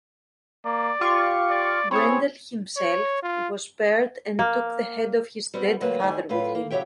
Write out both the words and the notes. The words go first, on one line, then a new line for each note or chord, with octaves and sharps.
Grendel himself was spared and took the head of his dead father with him.
A#3 D5
F4 G4 C#6
D5
C4 E4 G#4 C#5
C#5
F4
A#3
G3 B3 C4 F#4
D2 G#2 F#3 A#3 G4 B4
D#3 A3 C5 D5 G#5
F#2 A2 F4 B4
A#3
C#3 F#3 G4 C#5 E5 G5